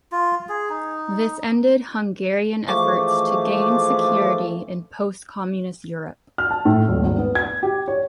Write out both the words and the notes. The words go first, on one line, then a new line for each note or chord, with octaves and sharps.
This ended Hungarian efforts to gain security in post-communist Europe.
F4
G#4
D#4
E3 F3 G#3 A3 C#6 D6
F6
A5
A2
D#1
G#1
B3
G#6
G4
C#5